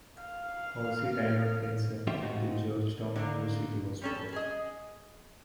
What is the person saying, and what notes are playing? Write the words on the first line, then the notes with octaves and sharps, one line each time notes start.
Horsey died of cancer at the Georgetown University Hospital.
F5 F6
F3 C#4 F4 G4 E5
G#3 A3 C4 D#4 F4 F#4
D3 D#3 A#3
G3 C#4 A4
G#4 D#5